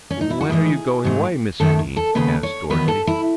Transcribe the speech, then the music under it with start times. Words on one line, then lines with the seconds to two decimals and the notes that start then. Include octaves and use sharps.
"When are you going away, Mr. Dene?" asked Dorothy.
0.10 C#4
0.21 D#4
0.30 E4
0.41 F#4
0.49 A2 E3 G#3 G#4
1.04 G#2 F#3 A3
1.60 F#2 D#3 A3 A4
1.96 A4
2.15 D#2 C#3 G#3 B3 B4
2.43 C#5
2.70 E2 D#3 F#3 B3 B4
2.88 A4
3.07 E4